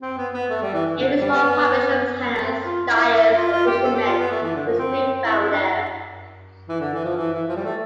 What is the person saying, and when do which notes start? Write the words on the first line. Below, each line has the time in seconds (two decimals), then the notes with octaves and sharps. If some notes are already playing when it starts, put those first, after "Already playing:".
Even the small population of tanners, dyers and fishermen is to be found there.
0.01 C4
0.17 B3
0.33 B3
0.50 A3
0.62 G3
0.74 E3
0.85 E3
0.97 D3
1.21 G3
1.32 B3
2.40 C4
2.63 F4
2.88 E4
3.11 E4
3.36 F4
3.51 F4
3.67 G4
3.83 A4
3.95 G4
4.06 F4
4.19 B3
4.31 A3
4.42 E3
4.55 D3
4.66 F3
4.78 C4
5.25 E4
5.38 E4
5.50 D4
5.61 E4
6.69 E3
6.80 D3
6.93 E3
7.04 F3
7.17 E3
7.32 E3
7.49 F3
7.56 G3
7.64 A3